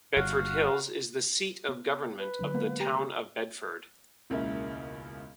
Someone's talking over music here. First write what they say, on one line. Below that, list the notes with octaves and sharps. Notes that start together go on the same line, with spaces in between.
Bedford Hills is the seat of government of the Town of Bedford.
G1 F#4 F5 F#5
B3
B4
D3 F#3 D4
G#3 A#3 B3
G4 A#5
E1 C#2 C#3 A#3 E4